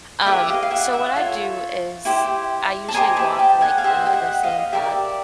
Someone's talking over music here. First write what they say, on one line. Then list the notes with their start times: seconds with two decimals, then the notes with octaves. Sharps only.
Um, so what I do is I usually walk, like, the the same path
0.21 D#5
0.26 E4 G4 B4 E5
0.49 D#5 F5
0.63 F5
0.71 E5 F#5
0.93 E5 F#5
1.15 F4 A4 C#5 E5
2.05 E4 G4 C5
2.89 A5
2.94 G4 C5 D#5 G#5 A#5
3.16 A5 B5
3.39 G5 A5
3.61 F#5 G#5
3.78 F5
3.84 G4 C5 D#5 E5 F#5
4.07 G5
4.13 E5 F#5
4.43 D#5 F5
4.73 G4 A#4 D5 E5